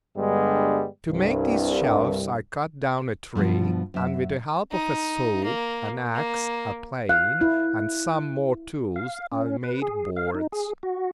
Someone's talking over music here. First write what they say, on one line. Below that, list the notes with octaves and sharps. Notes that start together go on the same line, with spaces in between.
To make these shelves I cut down a tree, and with the help of a saw, an axe, a plane, and some more tools, I made boards.
G2 D3 G3 G#3 B3
C2 G2
G2 B2 D3 F3
F#2 E5
D#4
A#3
A#3
F5 F#6
E4
F5
C#4
B4
G#4
F5
D#4
G#4
F#4